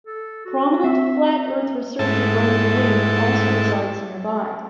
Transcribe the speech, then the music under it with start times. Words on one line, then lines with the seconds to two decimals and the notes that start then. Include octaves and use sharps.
Prominent Flat Earth researcher Brendan Wing also resides nearby.
0.06 A4
0.45 F#4
0.84 C4 E5
1.99 G#2 A3 E4 A5